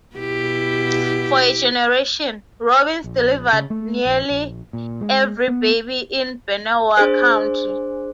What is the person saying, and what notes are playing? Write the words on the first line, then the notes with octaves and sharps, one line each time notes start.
For a generation, Robins delivered nearly every baby in Benewah County.
B2 E4 G4
A#1
C#3
A3
A#1
A#1
A#2
G#3
B3
D4 G#4 C5